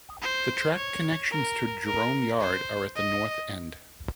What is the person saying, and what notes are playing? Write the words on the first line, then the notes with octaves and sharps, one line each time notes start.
The track connections to Jerome Yard are at the north end.
C5
C#5
A#4
A#4
C5
D#5